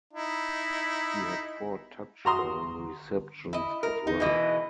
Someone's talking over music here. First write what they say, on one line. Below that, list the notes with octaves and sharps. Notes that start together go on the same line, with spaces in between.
He had four touchdown receptions as well.
D#4 E4
F#4 A#5 C6 D#6
E4 D#5
A#4
D#4
B2 E3 G#3 D#5